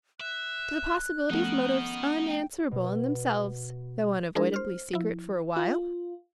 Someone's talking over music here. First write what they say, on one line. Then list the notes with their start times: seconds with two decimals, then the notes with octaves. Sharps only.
To the possibility of motives unanswerable in themselves, though unavoidably secret for a while?
0.21 E5 F#6
1.30 F3 A3 B3 C#4 D#4 A#4
2.28 G5
2.58 F#4
2.71 B2
4.35 G#3 D4 E4 G#4 A#4
4.54 C5 F6
4.93 F3 E4
5.57 F4